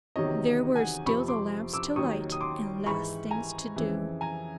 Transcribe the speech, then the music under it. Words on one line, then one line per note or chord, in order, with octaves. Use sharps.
There were still the lamps to light and last things to do.
E2 C3 D#3 F#3 C#5 D#5
F#5 G#5
F2 C3 F3 B5 C#6
C6 D6
D6 E6
D#2 D#3 F#3 C#6 D#6
D#6
C6 D6
G#2 E3 B5 C#6
G#5 A#5
F2 C#3 E3
G#5 A#5